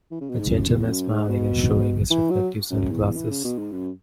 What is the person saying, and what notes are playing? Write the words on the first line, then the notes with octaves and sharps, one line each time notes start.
A gentleman smiling and showing his reflective sunglasses.
E3
C#3
B2
G#2
F#2
E2
F#2
G#2
B2
E3
F#3
F#2
E2
E3
C#3
B2
G#2
F#2